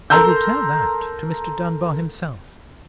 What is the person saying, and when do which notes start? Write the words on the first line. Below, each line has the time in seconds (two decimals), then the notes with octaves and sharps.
"I will tell that to Mr. Dunbar himself."
0.10 A4 A#4 A#5 C6 E6 G6